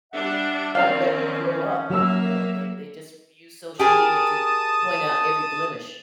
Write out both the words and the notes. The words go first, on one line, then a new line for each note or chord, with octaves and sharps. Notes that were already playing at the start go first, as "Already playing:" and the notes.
won't let you grow up, you know? They they just use social media to point out every blemish.
G3 D4 E5 F#5
F#2 D#3 F3 C4 C#4 D5 F5
F#3 A#3 E5 E6
G4 G#4 A#4 A5 D#6